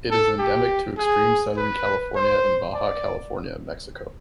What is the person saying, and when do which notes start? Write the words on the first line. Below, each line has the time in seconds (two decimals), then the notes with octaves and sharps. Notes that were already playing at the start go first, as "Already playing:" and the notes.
It is endemic to extreme southern California and Baja California, Mexico.
0.11 A4
0.39 G4
0.98 G#4
1.57 B4
2.16 C5
2.75 D5